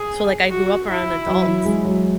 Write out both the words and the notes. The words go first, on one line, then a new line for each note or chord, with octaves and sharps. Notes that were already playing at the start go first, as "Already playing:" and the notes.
So like I grew up around adults.
Already playing: G#4
F#4
E4
F#3
E3
G#3
F#3